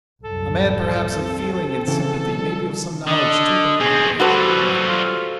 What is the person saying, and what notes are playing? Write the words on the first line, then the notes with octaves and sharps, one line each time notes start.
A man perhaps of feeling and sympathy, maybe of some knowledge too, but my day is over.
C2 F#2 A2 A4
C4
C#3 E3
D#3 F3 G3
D3 D#5
B2 C4 G#4
F#3 G3 F#4 A4 B4 C5
F4